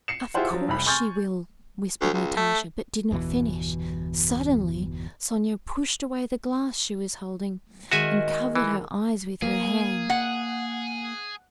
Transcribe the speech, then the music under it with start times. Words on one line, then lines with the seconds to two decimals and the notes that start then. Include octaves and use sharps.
"Of course she will!" whispered Natasha, but did not finish... suddenly Sonya pushed away the glass she was holding and covered her eyes with her hand.
0.08 C7 C#7 E7
0.34 E4 F4 G4 G#4 C5 F#5
0.50 F3 F#3
0.68 F1 C2 B5
0.86 G#5 C6 C#6 F6 G6 A6
2.01 D2
2.14 C#2
2.37 A3
3.11 G1 E2 B2 E3
7.91 D#3 G#3 F#4 D#5 E5 G#5
8.55 E3
9.42 A#3 G#4
10.10 F#5